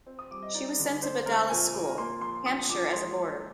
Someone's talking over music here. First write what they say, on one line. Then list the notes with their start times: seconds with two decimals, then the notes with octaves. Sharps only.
She was sent to Bedales School, Hampshire as a boarder.
0.06 C4
0.19 D#6
0.31 G3 D6
0.43 D#5
0.54 D#4 D5
0.79 D3
1.02 C4 C5
1.26 G#3 A#4
1.50 A#2 G#5
1.74 A#2
1.98 A#3 C6
2.21 F3 C6
2.45 D4 D#6
2.69 A#2 D6
2.93 G#3 C6
3.17 F3